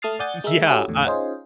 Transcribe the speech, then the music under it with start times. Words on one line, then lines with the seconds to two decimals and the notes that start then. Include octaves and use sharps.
Yeah, I
0.02 A3 A5 D#6 F6 A6 C7
0.19 D5 F#5 G#5 D#6 G6 A6
0.44 G#3 A#4 E5
0.67 C#4 E4 F#4 G4 A4
0.88 E2 A2 D3
1.07 C#4 D#4 F4 G#4 C5